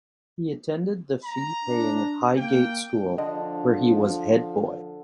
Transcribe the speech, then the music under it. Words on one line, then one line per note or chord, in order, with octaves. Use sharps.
He attended the fee-paying Highgate School where he was Head Boy.
A#5
D4
A#3 G5
D3 F3 D#5